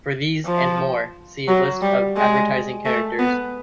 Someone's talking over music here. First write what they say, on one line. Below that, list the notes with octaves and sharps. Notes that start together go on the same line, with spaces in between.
For these and more, see List of advertising characters.
F3
F#3
G3
G#3
A3
B3